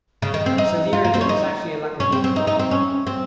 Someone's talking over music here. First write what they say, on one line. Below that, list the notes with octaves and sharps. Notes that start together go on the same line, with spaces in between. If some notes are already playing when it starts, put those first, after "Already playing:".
So the irritant is actually a lack of water vapour.
C#3
D#3
C4
D#4
F4
A#3
C4
C#4
D#4
C#4
C4
C4
D#4
D#4
C4
C#4
C4